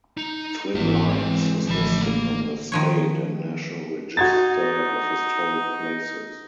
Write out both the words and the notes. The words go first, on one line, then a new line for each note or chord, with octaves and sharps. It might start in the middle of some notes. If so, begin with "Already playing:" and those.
Twin Lights is listed on the State and National Register of Historic Places.
D#4
G#1 E3 B3 E4
E3 G#3 C4 C#5
A1 D3 F3 B5
A#3
D#3 F3 C#5
D#4 F#4 G#6 A6